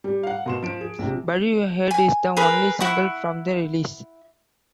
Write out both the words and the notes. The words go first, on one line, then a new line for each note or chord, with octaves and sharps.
"Bury Your Head" is the only single from the release.
G3
F5 F#5
B2 C6 E7
F3 D7
G#4
A#1 C3
G#5
G#4 A#4 B4 C6
E4 F#5 C#6